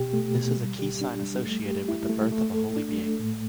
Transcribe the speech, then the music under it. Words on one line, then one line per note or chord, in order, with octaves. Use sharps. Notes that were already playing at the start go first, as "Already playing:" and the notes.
This is a key sign associated with the birth of a holy being.
Already playing: B2 G4
A3
B2
G3
G4
D4
G3
A3
G4
E4
A3
A3
A4
D4
A3
A2